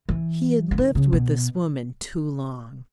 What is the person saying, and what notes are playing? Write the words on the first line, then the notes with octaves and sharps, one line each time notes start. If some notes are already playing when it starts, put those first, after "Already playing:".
He had lived with this woman too long.
E3
E3
D#3
C#3
B2